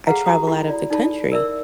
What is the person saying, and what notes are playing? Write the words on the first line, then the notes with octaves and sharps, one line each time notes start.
I travel out of the country,
G#4 A4 B4 F5 F#5 A#5
F#4 G4 A#5 D#6
E4 G4 A4 B5
D5
D#4 A4 D5 A5 B5
A#4 D5 E5 E6